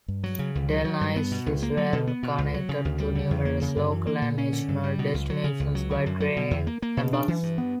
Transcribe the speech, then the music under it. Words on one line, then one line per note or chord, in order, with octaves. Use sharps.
Delnice is well connected to numerous local and national destinations by train and bus.
G2
F#3
C#3
C#2
F#3
F#3
G2
B3
B2
C#2
A#3
F#3
B2
B3
B2
C#2
F#3
C#3
D2
G3
D3
E2
A#3
C#3
F#2
E3
A#3
A#2
C#4
D3
G2
G3
B2
C#2
F#3
C#3
C#2
F#3
D3
F#2
F#3
B2
E2
A#3
A#3
B2
D4
E3
G2
B3